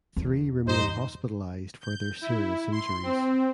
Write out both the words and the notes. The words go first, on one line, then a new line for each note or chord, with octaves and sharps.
Three remained hospitalized for their serious injuries.
E2
G2 D#4 C5
G6
E4
C6
C4